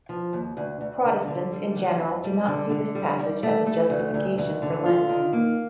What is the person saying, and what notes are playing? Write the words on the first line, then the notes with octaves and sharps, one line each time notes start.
Protestants, in general, do not see this passage as a justification for Lent.
F3
D#2
D2
D2
D3
D3
G3
D2
F2
G3
D3
D3
G3
G3
A3
A3
D2
D2
D2
D3
F4
D#3
A#3